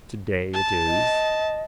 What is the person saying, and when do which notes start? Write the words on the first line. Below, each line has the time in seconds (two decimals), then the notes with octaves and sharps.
Today it is.
0.54 A5
0.87 D#5